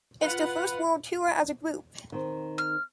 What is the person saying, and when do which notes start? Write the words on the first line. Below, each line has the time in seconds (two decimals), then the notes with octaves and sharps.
It’s their first world tour as a group.
0.22 F4 B4 F5 F#5
2.12 D#3 C4
2.58 F6